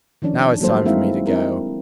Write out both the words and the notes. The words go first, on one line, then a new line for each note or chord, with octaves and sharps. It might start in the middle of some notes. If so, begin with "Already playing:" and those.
Now it's time for me to go.
D#3 F3 C#4 D4
F#3 G3 A#3 A4 C5
G#3 C4 D#4 E4 E5 F5
C4 D4 E4 A#4